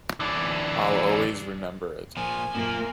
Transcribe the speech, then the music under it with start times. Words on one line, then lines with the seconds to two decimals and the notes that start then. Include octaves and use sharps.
I'll always remember it.
0.20 E3 D4
2.17 A#2 F3 A#4 G#5
2.55 F#2 A#2 F3 A#3